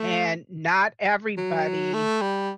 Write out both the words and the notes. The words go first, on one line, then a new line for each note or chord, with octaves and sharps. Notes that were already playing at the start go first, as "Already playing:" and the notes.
and not everybody
Already playing: A3
F#3
A3
G3